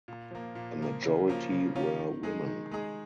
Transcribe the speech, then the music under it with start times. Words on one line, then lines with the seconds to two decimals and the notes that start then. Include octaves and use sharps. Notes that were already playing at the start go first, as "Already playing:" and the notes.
A majority were women.
0.08 A#2
0.31 F3 A#3
0.55 A#2
0.79 F3 A#3
1.03 C#3
1.27 F3 A#3 C#4 F4
1.52 C#3
1.75 F3 A#3 C#4 F4
1.99 D#3
2.23 G#3 D#4 G#4
2.47 D#3
2.71 G#3 D#4 G#4